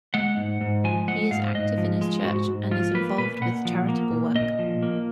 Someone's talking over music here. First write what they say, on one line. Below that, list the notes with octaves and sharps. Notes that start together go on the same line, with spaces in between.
He is active in his church and is involved with charitable work.
G#3 F#5
G#2
G#2
F3 G#5
G#3 F#5
G#2 F5
G#2 D#5
F3
G#3
G#2 F#4
G#2
F3 F4
A#3 B4
A#2 B4
A#2 F#5
F3
A#3
A#2
A#2 D#5
F3
A#3